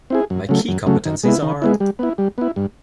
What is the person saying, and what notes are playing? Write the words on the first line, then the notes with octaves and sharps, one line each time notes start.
My key competencies are...
C4 E4 G#4
F#2
C#3 F#3 A3
F#2
C#3 F#3 A3
D#3
G#3 B3 E4
D#3
G#3 B3 E4
G3
B3 E4
G3
B3 E4
G2